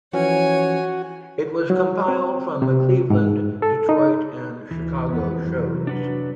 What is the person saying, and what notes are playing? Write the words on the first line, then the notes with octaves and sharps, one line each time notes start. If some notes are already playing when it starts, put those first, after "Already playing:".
It was compiled from the Cleveland, Detroit and Chicago shows.
E3 F3 C#4 F#4 C#5 G#5
F#3
C4
C3
G#2
A4
D#4
D2 E3
F2 B3
C3 F#3
D4 F#4 B4